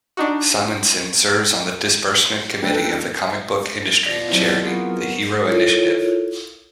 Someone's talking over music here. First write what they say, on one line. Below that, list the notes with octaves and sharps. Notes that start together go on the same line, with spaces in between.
Simonson serves on the Disbursement Committee of the comic-book industry charity The Hero Initiative.
D4 D#4 F#4
D2 A4 B4 G5
D#1
B2 F3 D5 A#6
F#3 C4 E4
B3 F4 F#4 G#4 A#4
E4 F4 A4 A#4 C#5